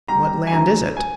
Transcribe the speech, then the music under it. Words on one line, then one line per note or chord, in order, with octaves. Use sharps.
"What land is it?"
G3 A#5
G#5
D2 A#5
G#5